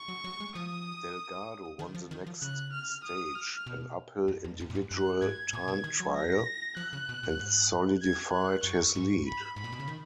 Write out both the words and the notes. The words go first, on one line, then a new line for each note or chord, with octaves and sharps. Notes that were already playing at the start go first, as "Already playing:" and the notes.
Delgado won the next stage, an uphill individual time trial, and solidified his lead.
Already playing: C#6
F#3
F#3
G#3
F3 D#6
D#3
F3
D#3
F3
C#3 F#6
F6
D#6
F6
B2
F2
F2
F#2
A#2
G#2
F#2 F#6
G#2 G#6
A#2
B2
D#3
F#3
A#6
F3 F#6
C#3
B2
A#2
G#2
G#6
F#6
F#2 C#6
G#2
B5
G#2 B5
A#2
B2
C#3
D#3